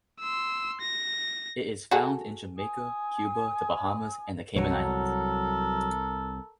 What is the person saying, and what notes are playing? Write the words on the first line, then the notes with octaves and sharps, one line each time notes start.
It is found in Jamaica, Cuba, the Bahamas and the Cayman Islands.
C6 E6
A#6
F#4 G#4 A4
G#5 D#6
C2 F#3 A4 A#4 C#5